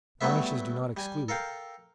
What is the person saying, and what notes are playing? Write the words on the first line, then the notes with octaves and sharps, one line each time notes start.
Varnishes do not exclude it.
F#3 G3 A3 B3 E5
G3 G#5
A4 A#4 F5 G5